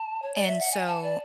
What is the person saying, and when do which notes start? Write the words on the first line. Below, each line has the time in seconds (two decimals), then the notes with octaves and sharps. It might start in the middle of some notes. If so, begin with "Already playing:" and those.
And, so,
Already playing: A5
0.22 C#5
0.35 D5
0.47 E5
0.59 F#5
0.72 G#5
0.87 A5
1.03 D5